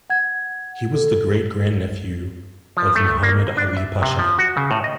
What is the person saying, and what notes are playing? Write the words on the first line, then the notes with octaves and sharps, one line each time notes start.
He was the great-grandnephew of Muhammad Ali Pasha.
F#5 G#6
A4
F3
A3
A#3
D4
E5
C3
F3
F#4
C#3
A2
D#5